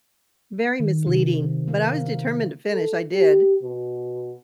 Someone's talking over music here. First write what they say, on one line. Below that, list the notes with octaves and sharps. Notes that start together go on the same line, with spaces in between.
Very misleading, but I was determined to finish. I did.
D#3
C3
A#3
A4
G4
B2